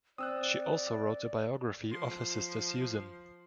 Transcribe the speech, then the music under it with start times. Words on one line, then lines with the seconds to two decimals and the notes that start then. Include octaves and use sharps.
She also wrote a biography of her sister Susan.
0.18 C4 D5 D#6 E6 F#6
1.90 F3 C6